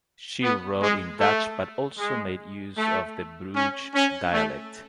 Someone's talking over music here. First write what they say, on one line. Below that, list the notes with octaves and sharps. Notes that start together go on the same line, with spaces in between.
She wrote in Dutch but also made use of the Bruges dialect.
B3
G#3
A3
G#3
A3
C#4
C#4
A3